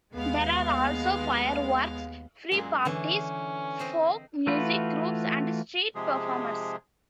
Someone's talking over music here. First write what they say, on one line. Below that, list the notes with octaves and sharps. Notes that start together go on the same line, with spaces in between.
There are also fireworks, free parties, folk music groups and street performers.
D#2 G#3 B3 F5
F#2 A#2 G#3
D3 E3 C#4
C4 C5 D#5
E3 A3 F4 F#4 B4
C3 F3 G#3 G#4